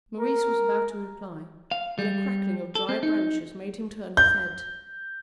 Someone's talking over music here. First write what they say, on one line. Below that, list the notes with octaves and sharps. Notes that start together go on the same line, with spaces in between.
Maurice was about to reply, when a crackling of dry branches made him turn his head.
A#4
F5
G3
A4
C4
D#4
G6